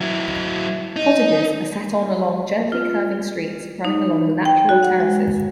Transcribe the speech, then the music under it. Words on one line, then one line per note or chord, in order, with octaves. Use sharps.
Cottages are set on along gently curving streets running along the natural terraces.
F#3 E4
D#4
F4
D#4
G5
F#4
F#5
G#3